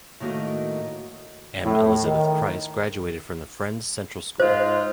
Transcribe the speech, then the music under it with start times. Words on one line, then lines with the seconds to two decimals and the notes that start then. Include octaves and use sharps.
M. Elizabeth Price graduated from the Friends' Central School.
0.20 A2 D#3 A#3 F#4 D#5
1.64 A2
2.03 D#3
4.40 G#2 D#4 F4 C5